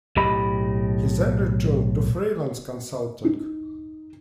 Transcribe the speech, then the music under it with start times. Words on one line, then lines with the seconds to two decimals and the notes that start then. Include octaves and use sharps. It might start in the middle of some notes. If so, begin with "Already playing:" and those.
He then returned to freelance consulting.
0.16 B1 A2 G4 D#5 B5
3.24 D#4